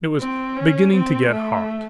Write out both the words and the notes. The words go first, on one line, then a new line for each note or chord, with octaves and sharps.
It was beginning to get hot.
C4
C#4
C4
A3